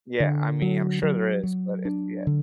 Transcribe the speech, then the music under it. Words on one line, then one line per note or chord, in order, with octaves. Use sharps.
Yeah, I mean, I'm sure there is, but it's Yeah.
D3
F#3
F#3
F#3
D4
D3